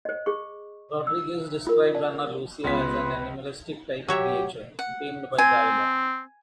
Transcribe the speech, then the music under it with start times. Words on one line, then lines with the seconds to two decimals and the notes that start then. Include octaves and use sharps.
Rodriguez described Ana Lucia as an animalistic type creature... tamed by the Island.
0.05 C5 D#5
0.26 G#4 C#6
1.07 E6
1.67 F4 A#4
1.95 D5 A5
2.64 C#2 G#3 B3 F4 B4 C6 B6
4.08 F#3 G4 C#5 E5
4.79 F#5
5.38 C4 G#5